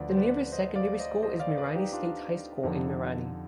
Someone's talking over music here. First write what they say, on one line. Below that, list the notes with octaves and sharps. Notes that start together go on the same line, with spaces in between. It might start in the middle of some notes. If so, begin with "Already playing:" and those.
The nearest secondary school is Mirani State High School in Mirani.
Already playing: D2 D3 F3 B4 D5
C5
B4 D5
C5 D#5
D5 F5
C5 D#5
C5 D#5
D5 F5
B4 D5
D#4 G4
D4 F4
F2 D3 F3 D#4 G4